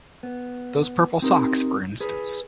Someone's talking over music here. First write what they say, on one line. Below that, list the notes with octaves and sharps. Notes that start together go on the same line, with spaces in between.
Those purple socks, for instance.
B3
C4 D#4 G4 A#4
G#4 B4